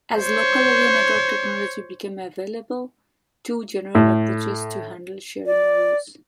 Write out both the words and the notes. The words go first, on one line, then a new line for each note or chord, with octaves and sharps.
As local area network technology became available, two general approaches to handle sharing arose.
C5 C#5
A2
D5